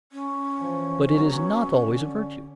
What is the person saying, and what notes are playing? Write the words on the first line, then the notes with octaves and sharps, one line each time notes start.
But it is not always a virtue.
C#4
E3 F3
F#3 B3
D3